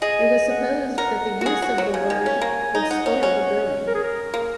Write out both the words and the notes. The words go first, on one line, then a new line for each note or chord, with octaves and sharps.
It was supposed that the use of the word would spoil the brewing.
G#4 D#5
F#5
A#4 F#5
F#4
G#4
F#4
F#3
F#5
C#3 G#5
D#3
C#4
A#3
D#4
D#5
D#4 F#5
C#4
C#4
A#4
G#4
A#4
A#3